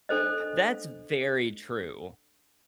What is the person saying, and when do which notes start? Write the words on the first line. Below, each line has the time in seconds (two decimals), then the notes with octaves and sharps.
That's very true.
0.09 D4 A4 C5 D#5